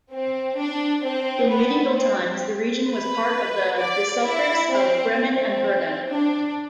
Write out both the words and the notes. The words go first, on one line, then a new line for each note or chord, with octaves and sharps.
In medieval times the region was part of the bishoprics of Bremen and Verden.
C4
D4
C4
B3
C4
B4
D5
E4
C4
C4
D4